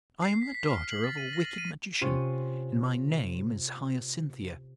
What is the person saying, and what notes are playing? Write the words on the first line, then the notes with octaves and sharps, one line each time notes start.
I am the daughter of a wicked magician, and my name is Hyacinthia.
C7
B6
B6
F6
F#7
A6
D#7
A#6
F#7
D#7
C3 C#4 F4 D#7